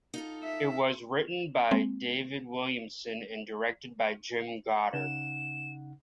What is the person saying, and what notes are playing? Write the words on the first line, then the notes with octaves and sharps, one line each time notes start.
It was written by David Williamson and directed by Jim Goddard.
D#4 F4 A4
E5
G#3 A#3 C4
C#3 D#4 F#5 E7